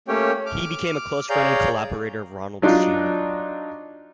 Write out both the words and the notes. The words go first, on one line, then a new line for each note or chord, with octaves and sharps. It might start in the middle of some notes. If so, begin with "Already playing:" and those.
He became a close friend and collaborator of Ronald Searle.
A3 A#3 C#4 G4 C#5 G5
D6 F6
G#4 C#5 D5 F5 A#5 G6
F#3 D4 D#4 F4